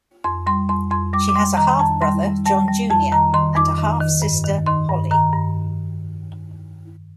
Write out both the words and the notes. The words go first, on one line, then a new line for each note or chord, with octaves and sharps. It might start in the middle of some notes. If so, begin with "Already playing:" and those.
She has a half-brother, John, Junior and a half-sister, Holly.
F2 C6
G3 C6
F2 C6
F2 C6
G3 D6
D6
G3 C6
D#3 A#5
F2 A5
G3 C6
G3
G3 A5
G3
F2 A5
D#3 A#5
D#3 C6
F2 D6
D#3
D#3
G2
D#3
D#3 C6
G2
D#3 A#5
G2